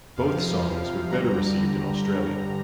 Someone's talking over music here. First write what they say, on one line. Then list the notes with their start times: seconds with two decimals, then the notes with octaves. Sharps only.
Both songs were better received in Australia.
0.16 F2 C3 F3 F5
1.09 G2 D3 G3 A#5
2.03 G2 D3 G3 A#5